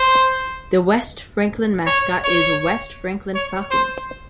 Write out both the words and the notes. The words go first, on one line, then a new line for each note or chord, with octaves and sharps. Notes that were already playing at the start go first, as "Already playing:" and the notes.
The West Franklin mascot is West Franklin Falcons.
Already playing: C5
C#5
C#5
C#5
C5